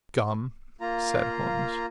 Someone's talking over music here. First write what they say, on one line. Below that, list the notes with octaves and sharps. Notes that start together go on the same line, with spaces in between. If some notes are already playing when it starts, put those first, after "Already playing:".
"Gum," said Holmes.
A#3 F4 A#5